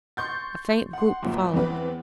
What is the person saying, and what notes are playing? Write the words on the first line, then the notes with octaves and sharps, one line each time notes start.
A faint whoop followed.
C6 C#6 G6 A6
F#5 C6
G1 F#2 A#2
E2 E3 B3 C4 B4